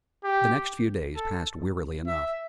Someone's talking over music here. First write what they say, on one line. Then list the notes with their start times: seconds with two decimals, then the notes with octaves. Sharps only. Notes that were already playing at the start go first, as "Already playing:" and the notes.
The next few days passed wearily enough.
0.24 G4
1.16 A4
2.08 E5